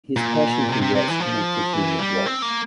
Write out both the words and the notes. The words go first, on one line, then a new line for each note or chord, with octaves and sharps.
His passion for yachts connected him with Walsh.
A#2
C3
C3
C3
E3
F3
E3
G3
C4
A#3